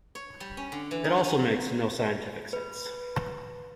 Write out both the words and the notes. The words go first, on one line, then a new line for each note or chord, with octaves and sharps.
It also makes no scientific sense.
C#5
G3
C#4
D3
E3
D#4
C#4
B4